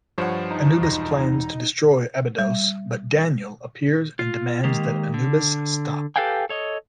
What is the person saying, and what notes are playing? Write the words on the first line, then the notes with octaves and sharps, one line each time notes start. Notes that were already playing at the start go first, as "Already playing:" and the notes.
Anubis plans to destroy Abydos but Daniel appears and demands that Anubis stop.
G2 F3 C5 C#5 F#5
D#4
E1 A#6
G3
F4
D#3 G#3 A#3 G4
D3
G4 A4 B4 F5 G5 G#5
A4 C#5 D#5